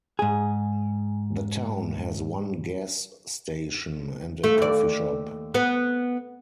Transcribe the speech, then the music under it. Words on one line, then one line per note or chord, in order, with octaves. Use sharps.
The town has one gas station, and a coffee shop.
G#2 G#4
A3
D#2 D5
B3